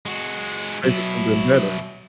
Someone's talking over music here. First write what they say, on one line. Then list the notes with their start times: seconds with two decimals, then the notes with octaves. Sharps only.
replaced with something better
0.06 G#3 F#4
0.84 B2 F#3 E4